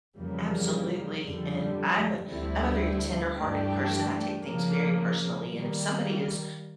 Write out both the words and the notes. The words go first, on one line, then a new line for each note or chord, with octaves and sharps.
Absolutely and I'm a I'm a very tenderhearted person I take things very personally and if somebody is
F2 C#3 E3 G3 A#3
F2 D3 G3
D2 D3 G3 C4 E4
G2 E3 A3 D4 G4
C#3 F3 A#3
D#3 G3 A#3